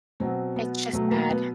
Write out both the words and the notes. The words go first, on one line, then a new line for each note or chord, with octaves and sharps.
It's just bad.
B2 F#3 C4
B3
B2 F#3 A3
A#3
B3